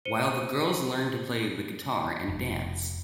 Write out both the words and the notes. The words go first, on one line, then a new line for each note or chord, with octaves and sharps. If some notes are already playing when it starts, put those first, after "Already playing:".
While the girls learned to play the guitar and dance.
C5 C#7 D#7 G7
F1